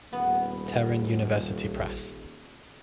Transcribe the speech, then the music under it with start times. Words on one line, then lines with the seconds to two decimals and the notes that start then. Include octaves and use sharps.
Tehran University Press.
0.13 D#1 B3